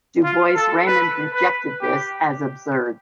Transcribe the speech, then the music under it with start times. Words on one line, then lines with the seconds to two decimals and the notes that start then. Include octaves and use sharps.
Du Bois-Reymond rejected this as absurd.
0.24 F4
0.56 A4
0.87 B4
1.34 B4
1.82 G4